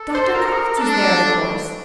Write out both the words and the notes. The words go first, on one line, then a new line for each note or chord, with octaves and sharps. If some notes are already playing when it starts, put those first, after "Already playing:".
Dr. Crofts is there, of course.
Already playing: A4
C5
A#4
D4 A4